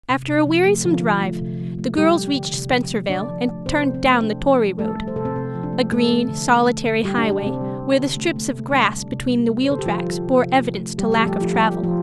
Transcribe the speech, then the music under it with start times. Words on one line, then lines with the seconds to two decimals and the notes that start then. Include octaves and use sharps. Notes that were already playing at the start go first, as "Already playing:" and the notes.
After a wearisome drive the girls reached Spencervale and turned down the "Tory" Road . . . a green, solitary highway where the strips of grass between the wheel tracks bore evidence to lack of travel.
0.10 C3
0.29 C3
0.47 F3
0.66 A3
0.85 D3 F3 F4
1.03 F3
1.22 A3
1.41 C3
1.60 F3
1.79 A3
1.98 G3 G4
2.16 G3
2.36 D3
2.54 C3
2.72 F3
2.91 A3
3.09 D3 D4 D5
3.29 F3
3.47 A3
3.66 C3 C4 C5
3.85 F3
3.94 C4
4.03 A3
4.23 C3 D4
4.41 F3
4.60 A3
4.79 G3 A3 A4
4.98 G3
5.08 C5
5.16 C3 A4
5.25 C4 C5
5.36 C3 C4
5.55 F3
5.63 D4
5.73 A3
5.92 A3 A4
6.11 A3
6.29 D3
6.49 A3
6.67 A3
6.86 D3
7.04 G3 G4
7.18 D4
7.23 G3
7.32 D4
7.42 C3 C4
7.61 G3
7.79 G3
7.99 D3
8.17 A3
8.36 A3
8.55 C3
8.73 G3 D4
8.92 G3
9.12 C3
9.29 G3
9.48 G3
9.64 C5
9.68 D3 A4
9.79 G4
9.85 F3 G3 F4
10.05 G3
10.24 C3
10.42 C3
10.62 F3
10.79 A3
10.98 D3 G3 G4
11.12 A3 A4
11.17 F3
11.26 G3 G4
11.37 F3 A3 F4
11.54 G3 G4
11.74 G3
11.84 F3 F4